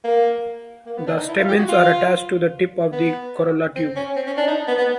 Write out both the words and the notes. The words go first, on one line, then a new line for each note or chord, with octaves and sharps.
The stamens are attached to the tip of the corolla tube.
A#3
A#3
B3
D4
D#4
E4
F4
G4
F#4
F4
B3
C4
C#4
C4
C#4
D4
D#4
B3
B3